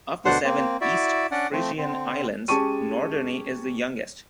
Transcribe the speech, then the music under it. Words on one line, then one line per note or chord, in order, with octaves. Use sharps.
Of the seven East Frisian islands, Norderney is the youngest.
D2 B2 D4 C5 F#5 C6
A#3 C4
E4 F#4 D5 E5
C#4 D4 D5 F#5
F3 A3 C4
D3 C4
G#3 C#4 G4 A5 C#6 D#7